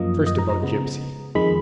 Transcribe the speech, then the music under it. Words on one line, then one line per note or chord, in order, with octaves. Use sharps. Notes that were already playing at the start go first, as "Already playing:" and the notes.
First about Gypsy.
Already playing: F#2 F3 A#3 D#5
D#5
A#5
A#5
C#3 G#3 B3
F2 D#3 G#3 B5